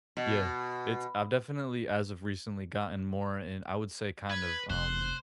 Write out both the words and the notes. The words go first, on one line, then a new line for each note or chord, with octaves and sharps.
Yeah. It's I've definitely, as of recently, gotten more in I would say kinda, um
B2
B4 G#6
F1 C5 F#6